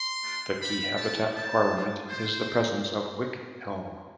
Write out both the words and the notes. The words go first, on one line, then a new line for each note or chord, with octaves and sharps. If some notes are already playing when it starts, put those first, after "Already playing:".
The key habitat requirement is the presence of wych elm.
Already playing: C6
A3 D4 F4
G3 D4 G4 B5
C4 G4 A5
C4 E4 G4 A5
G3 B3 F4
G3 B3 F4 C5
A3 C4 G4